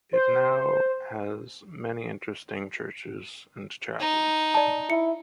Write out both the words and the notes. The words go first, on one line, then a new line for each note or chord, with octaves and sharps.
It now has many interesting churches and chapels.
C5
D#4
D5 A5
E4 C#7